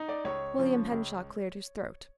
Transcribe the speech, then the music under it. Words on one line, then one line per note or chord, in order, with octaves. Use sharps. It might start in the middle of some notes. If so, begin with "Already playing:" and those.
William Henshaw cleared his throat.
Already playing: D#4
D5
C#2 C#5
C#3 F3
C#2